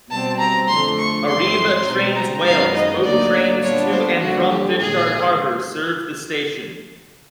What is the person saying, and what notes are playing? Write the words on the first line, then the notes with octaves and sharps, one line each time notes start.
Arriva Trains Wales boat trains to and from Fishguard Harbour serve the station.
B2 G3 C4 A5
A#5
F2 D3 F3 A3 C6
C#6
G2 E3 G#3 C4 E4 C6
B2 G#3 C4 D#4
A#5
F#2 D#3 G#3 B3 D#4 F5
D#5
D2 D3 F#3 A#3 D#4 D5
A#2 G3 B3 D4 F4 C#5
C5
F2 D3 G3 A#3 F#4
G4
A#1 G#2 D#3 G#4